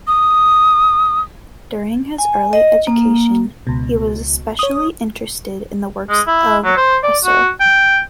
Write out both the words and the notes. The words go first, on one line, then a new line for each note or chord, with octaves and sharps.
During his early education, he was especially interested in the works of Husserl.
D#6
G#5
D#5
A#3
C#2 B2
C#5 D#6
G#3
E4
F#3
C5
D5
F#4
G5